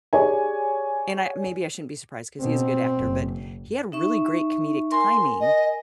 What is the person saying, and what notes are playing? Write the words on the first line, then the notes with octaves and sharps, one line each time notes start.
and I maybe I shouldn't be surprised 'cause he is a good actor, but he had really great comedic timing
G4 G#4 C#5 D5 G#5
B2 C4
F#1
D#4 E5 C#6
A#4 G#5 C6
D#5